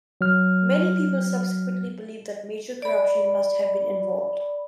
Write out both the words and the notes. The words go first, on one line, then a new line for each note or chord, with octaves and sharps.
Many people subsequently believed that major corruption must have been involved.
F#3 F6
D5 B5